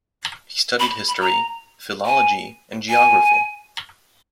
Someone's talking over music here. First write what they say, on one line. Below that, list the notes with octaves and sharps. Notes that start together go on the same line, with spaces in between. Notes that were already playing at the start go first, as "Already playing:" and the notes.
He studied history, philology, and geography.
B5
B5
A#5
G#5
G#5